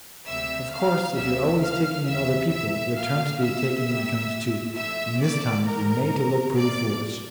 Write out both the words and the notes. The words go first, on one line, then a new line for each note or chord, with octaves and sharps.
Of course, if you are always taking in other people, your turn to be taken in comes too, and this time you've been made to look pretty foolish.'
D2 C3 G3 E5 E6
F5 F6
D2 C3 G3 A#3 E5 E6
F5 F6
E2 E3 G3 E5 E6
E5 E6
A#2 G3 A#3 F5 F6
E5 E6
F2 C3 G3 A#3
G2 F3 A3 E5 E6
D5 D6
A2 E3 G3 A#3 A#4 A#5
A2 F3 A#3 D5 D6